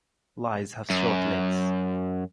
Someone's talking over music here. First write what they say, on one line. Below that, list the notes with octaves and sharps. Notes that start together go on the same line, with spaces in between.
Lies have short legs.
F#2